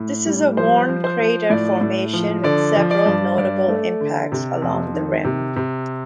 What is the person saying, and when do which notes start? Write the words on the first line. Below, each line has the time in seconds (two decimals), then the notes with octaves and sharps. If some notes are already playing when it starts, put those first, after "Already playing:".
This is a worn crater formation with several notable impacts along the rim.
Already playing: A2
0.26 G3
0.57 F3 C5
0.88 F3
1.04 C5
1.19 F3
1.50 A2 D5
1.81 A2
2.13 F3
2.43 D3 D5
2.76 F3
2.91 D5
3.06 G2
3.38 G2 D5
3.68 A3
4.01 D3
4.32 C3
4.62 F2
4.94 D#3
5.24 C3
5.56 C3